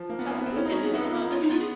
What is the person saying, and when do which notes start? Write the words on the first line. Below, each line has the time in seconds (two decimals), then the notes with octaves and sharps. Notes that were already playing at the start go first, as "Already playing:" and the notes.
"Shall I peep in for a moment?"
Already playing: F3
0.09 A#3
0.19 B3
0.28 C4
0.38 B3
0.46 C4
0.56 C#4 E4
0.65 D#4
0.68 F#4
0.75 C#4
0.81 B3 G#4
0.93 E4 A4
1.03 F4
1.12 E4
1.21 D#4
1.31 C#4 F4
1.40 D#4
1.49 B3 F4
1.59 G#4